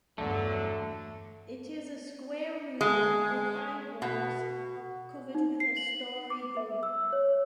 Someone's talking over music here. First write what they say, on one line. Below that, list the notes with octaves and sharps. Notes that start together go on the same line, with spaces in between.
It is a square room, with high walls, covered with a starry dome.
E2 G2 D3 F#3 A3
G#3
B2
D#4
C7
F#7
D6
E5
E6
C#5